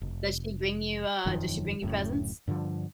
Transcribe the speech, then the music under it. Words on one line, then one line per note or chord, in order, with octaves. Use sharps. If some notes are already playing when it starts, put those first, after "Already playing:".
Does she bring you, uh, does she bring you presents?
F1
E1 F#2 D#3 F3
D1 F#2 A2 C#3
G2 D3 E3 F3